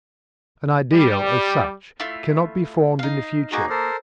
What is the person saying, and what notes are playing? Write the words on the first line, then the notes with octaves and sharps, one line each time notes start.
An ideal, as such, cannot be formed in the future.
G3
A3 E4 F4
D#4 F5
A#3 B3 D#4 F#4 G#4
A4 A#4 C5